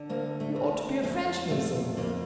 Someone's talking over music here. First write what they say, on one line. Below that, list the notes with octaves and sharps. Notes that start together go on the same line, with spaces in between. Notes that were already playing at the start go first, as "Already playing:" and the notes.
You ought to be a Frenchman, Sir Norman!
Already playing: D3
D2 A#3
A3
D2
F2 A3
F2 A3
F2 A#3